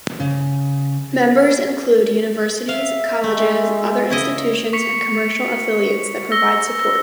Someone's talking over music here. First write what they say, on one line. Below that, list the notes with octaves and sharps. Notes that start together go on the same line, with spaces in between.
Members include universities, colleges, other institutions and commercial affiliates that provide support.
C#3
E5 F5
G#3 A3
C#3 E4 D#5
C#6 B6 C#7 F7
E6 A#6 G7